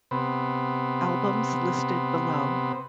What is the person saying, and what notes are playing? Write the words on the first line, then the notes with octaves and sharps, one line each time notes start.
Albums listed below.
C3 B3